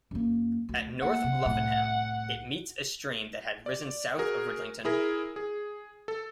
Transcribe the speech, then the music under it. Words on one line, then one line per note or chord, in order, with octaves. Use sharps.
At North Luffenham, it meets a stream that had risen south of Ridlington.
F#2 A#3
D2
A#3 F#5
C3
C2 A2
D5
F#4 G#4 A#4
E4 G#4 A#4
G#4
A4